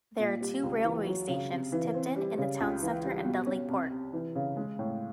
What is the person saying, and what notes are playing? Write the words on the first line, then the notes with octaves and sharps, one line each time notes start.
There are two railway stations - Tipton in the town centre and Dudley Port.
A#2
G3
C#2
E3
F#3
C#3
C3
E3
C4
G3
C#3
C#2
E3
G3
B2
C#4
C2
C3
E3
C#3
G#3
A2